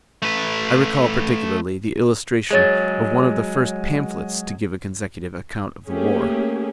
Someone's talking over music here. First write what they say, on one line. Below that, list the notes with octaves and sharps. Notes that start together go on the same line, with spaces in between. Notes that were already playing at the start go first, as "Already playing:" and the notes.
I recall particularly the illustration of one of the first pamphlets to give a consecutive account of the war.
A3 B4
F#3 G#3 G#4 C#5 A6
A3 A#3 C#4 G4 G#4